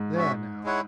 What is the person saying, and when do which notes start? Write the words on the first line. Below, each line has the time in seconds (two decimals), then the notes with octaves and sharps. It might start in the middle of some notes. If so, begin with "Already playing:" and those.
'There now.
Already playing: G#2
0.15 C#4 F#4 E5
0.64 G#3 E4 C#5 F#5